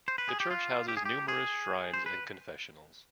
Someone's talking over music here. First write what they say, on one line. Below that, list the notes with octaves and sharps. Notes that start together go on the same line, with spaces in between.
The church houses numerous shrines and confessionals.
C5
B4
G#4
G4
F4
G4
G#4
G4
G#4
C5
B4